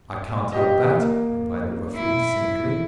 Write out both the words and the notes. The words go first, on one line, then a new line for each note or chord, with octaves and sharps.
"I can't help that," replied the ruffian, cynically.
F4 G4 D#5
A#3
E4